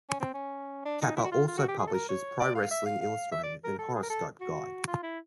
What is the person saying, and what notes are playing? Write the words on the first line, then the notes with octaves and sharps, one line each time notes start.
Kappa also publishes "Pro Wrestling Illustrated" and "Horoscope Guide".
C#4
C4
C#4
D4
D#4
E4
F#4
F4
F4
F#4
G4
G#4
A4
A#4
C#5
D5
F5
E5
F5
F5
E5
D5
A#4
A4
G#4
A#4
A4
F#4
F4
E4